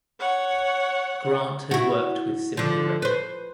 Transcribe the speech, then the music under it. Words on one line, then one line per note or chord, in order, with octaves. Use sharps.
Grant has worked with Simply Red.
C#5 F#5
E4 F#4
D3 F3
B4 C5